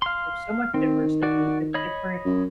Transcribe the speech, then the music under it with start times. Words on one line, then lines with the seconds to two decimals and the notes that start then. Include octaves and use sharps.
there's so much diversity that different
0.02 F5 C6
0.74 D#3 C4
1.23 F#4 D5
1.74 C#5 D#5 B5
2.25 F#2